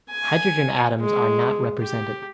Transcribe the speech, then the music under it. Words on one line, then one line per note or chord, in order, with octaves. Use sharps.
Hydrogen atoms are not represented.
G#5
G#3
G4